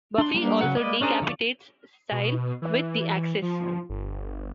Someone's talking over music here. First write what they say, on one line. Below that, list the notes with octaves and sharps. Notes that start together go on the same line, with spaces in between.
Buffy also decapitates Cecile with the axes.
D4 C6
G3 A#3 D4
C#3 F#3 B4 F#5
G#3 A#3 B4 D5 D#5
C#4 D4 G#4 A#4 C5
D3 F3 C#5 D5
B2
E3
F3
G1